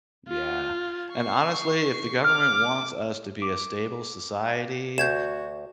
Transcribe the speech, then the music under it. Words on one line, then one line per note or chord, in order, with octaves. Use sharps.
Yeah, and honestly, if the government wants us to be a stable society
F4
C#6 C7
D6 F6
D6 D7
D2 F#4 G6 G#6 E7